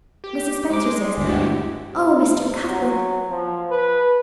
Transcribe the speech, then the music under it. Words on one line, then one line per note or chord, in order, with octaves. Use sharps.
Mrs. Spencer says--oh, Mr. Cuthbert!
G4
G#3 C5 D6
D2 G2 E4 F#4 G4
C3
F#3
F3
B4